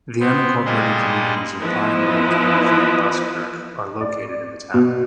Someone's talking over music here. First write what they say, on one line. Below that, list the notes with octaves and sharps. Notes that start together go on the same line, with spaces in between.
The unincorporated communities of Pine Lake and Van Buskirk are located in the town.
B3 C4
A#2 G3 G#3 D#5
E3 F3 B3 E4 B4 D#5
D5
B2